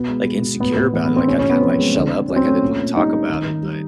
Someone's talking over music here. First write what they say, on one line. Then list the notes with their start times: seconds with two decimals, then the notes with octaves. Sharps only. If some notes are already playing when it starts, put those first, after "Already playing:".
like insecure about it, like, I'd kinda, like, shell up, like, I didn't wanna talk about it, but
Already playing: B2 B3
0.09 G#3
0.27 G#3
0.43 B2
0.60 A2 B3
0.76 A2 B3
0.93 E3 B3
1.05 B3
1.11 A3
1.16 C4
1.27 C3 C#4
1.38 C#4
1.44 C3
1.50 B3
1.60 F3 C4
1.78 G#3
1.95 D3
2.11 D3
2.28 F#3 C#4
2.36 C4
2.45 A3 C#4
2.62 A#2
2.79 A#2
2.96 G3 D#4
3.12 A#3
3.30 D#3
3.46 D#3
3.63 G3